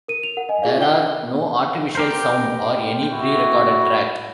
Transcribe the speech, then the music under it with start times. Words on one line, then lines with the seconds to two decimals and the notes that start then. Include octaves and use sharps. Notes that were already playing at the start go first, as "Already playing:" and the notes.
There are no artificial sound or any pre-recorded track.
0.08 A#4 D#7
0.23 F7
0.37 A#4 F#5
0.49 D#5 G#5
0.62 F4 G#4 D5 F5
0.78 D#4 F4 G5 G7
1.95 G4 A#4 C5
3.10 E4 F#4